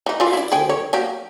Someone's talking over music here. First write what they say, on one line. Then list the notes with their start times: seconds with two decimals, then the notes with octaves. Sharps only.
Thank you.
0.06 E3 D#4
0.20 E3 F4 F5
0.33 E4 D5
0.52 G#4 G5
0.69 C#5
0.93 F#3 A#3 G4